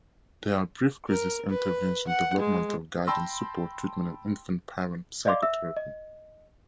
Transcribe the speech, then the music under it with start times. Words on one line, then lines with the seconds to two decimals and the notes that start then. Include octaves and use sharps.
They are brief crisis intervention, developmental guidance-support treatment, and infant-parent psychotherapy.
1.09 A#4
1.50 B4
2.08 F#5
2.40 G#3
3.07 G5 A5 B5 C6 E6 A#6
5.26 D5 D#5 F5 C6 D6
5.43 E5 E6
5.77 D#5